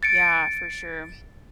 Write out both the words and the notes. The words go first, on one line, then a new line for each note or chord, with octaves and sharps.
Yeah, for sure.
A6 C#7 D7